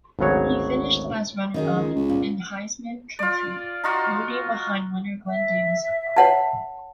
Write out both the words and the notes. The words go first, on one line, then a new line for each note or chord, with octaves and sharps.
He finished as runner-up in Heisman Trophy voting behind winner Glenn Davis of Army.
G#1 D2 C#3 F#3 C#5
F#2 D#3 D#4 G#4
C#2
C#2
A#2
F4 D5
D#4 F4 F#4
E5
C#5 F#5 A5